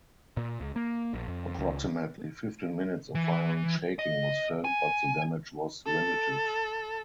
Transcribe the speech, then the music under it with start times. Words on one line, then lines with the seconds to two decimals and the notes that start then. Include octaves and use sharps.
Approximately fifteen minutes of violent shaking was felt but the damage was limited.
0.37 A#2
0.60 C#2
0.76 A#3
1.14 A#1
1.28 F2
1.58 C#2
3.15 E3
3.99 D#5
4.65 G#5
5.86 A4